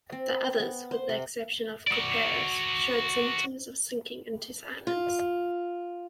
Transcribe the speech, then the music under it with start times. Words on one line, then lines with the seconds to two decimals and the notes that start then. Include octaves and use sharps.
The others, with the exception of Couperus, showed symptoms of sinking into silence.
0.12 C4
0.60 B3
0.91 C5
1.09 C3
1.87 F#4 D5
4.87 F4